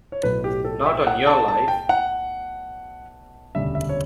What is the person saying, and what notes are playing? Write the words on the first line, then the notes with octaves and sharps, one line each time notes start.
Not on your life!
C#5
B1 A2 F#3 A3 B4
G4
A4
E5
F#5
A5
A5
G5
F#5
E1 D2 C#3 G3 E5
E5
C#5